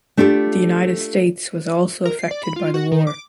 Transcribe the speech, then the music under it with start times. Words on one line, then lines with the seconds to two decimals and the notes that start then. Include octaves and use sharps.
The United States was also affected by the war.
0.17 A3 D4 F4 G4 A4
2.06 A#4
2.19 C7
2.31 D5
2.43 B5
2.56 F4
2.74 F#4
2.91 D#3
3.07 D6